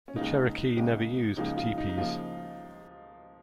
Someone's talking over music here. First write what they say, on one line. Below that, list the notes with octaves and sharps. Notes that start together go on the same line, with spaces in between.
The Cherokee never used teepees.
C#4
C#2 C#3 A#3 D#4
C#2 C#3 A#3
C#2 C#3 F3 A#3 D#4
F4
D#4
D#4
C#3 F3 A#3 F4